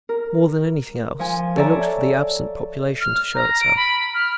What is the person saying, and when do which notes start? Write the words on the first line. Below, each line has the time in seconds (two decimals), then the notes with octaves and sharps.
More than anything else, they looked for the absent population to show itself.
0.09 A#4
1.19 F3 G#5
1.56 A4 C#5 D5 E5 A#5
3.01 F6
3.35 A#5
3.61 D7
3.76 B5
4.14 F6